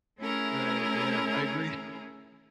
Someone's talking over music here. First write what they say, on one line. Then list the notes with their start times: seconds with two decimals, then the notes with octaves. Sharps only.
Right. Yeah, I agree.
0.19 A3 C#4 E4 G#4 A#4